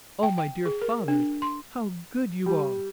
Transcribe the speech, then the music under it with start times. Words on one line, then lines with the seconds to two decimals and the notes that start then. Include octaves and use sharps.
Oh, my dear Father, how good you are!
0.23 G5
0.38 G5
0.65 G#4
0.82 A#4
1.08 D4
1.42 C6
2.46 G3